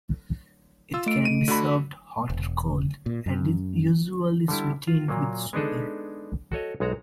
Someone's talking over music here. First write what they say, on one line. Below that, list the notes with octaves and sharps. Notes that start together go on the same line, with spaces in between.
It can be served hot or cold, and is usually sweetened with sugar.
F4 E6
A3 D7
D#7
D3 F#4 B5
E1
A#2
F#2
D3 G3 E4
F4
A#2 F#3 A#3
G#3 B3 D4 D#4 G#4 A4
F#4 A4 C#5 D#5
B1 G#3 F#4 A#5